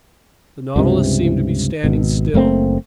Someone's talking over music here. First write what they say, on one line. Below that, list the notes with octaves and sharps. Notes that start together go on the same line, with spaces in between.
The Nautilus seemed to be standing still.
C#2 G2 C3
G#1 B2
F#1 A3 A#3 C4